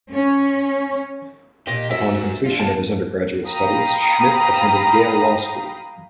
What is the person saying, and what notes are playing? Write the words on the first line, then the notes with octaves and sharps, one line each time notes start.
Upon completion of his undergraduate studies, Schmidt attended Yale Law School.
C#4
A#2 D#4 G4
F#4 A#4 E5
D4 F4
A#3 B3 A5
F5 G5 A#5 B5 D#6